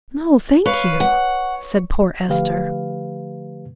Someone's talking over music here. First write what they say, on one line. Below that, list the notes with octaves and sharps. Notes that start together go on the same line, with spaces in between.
"No, thank you," said poor Esther.
B4 C#5 F5
F#5
D3 F3 A3 G4 B4 F5